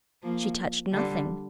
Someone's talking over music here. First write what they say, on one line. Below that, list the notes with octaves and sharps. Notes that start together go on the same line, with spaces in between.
She touched nothing.
F3 A#3
D3 G3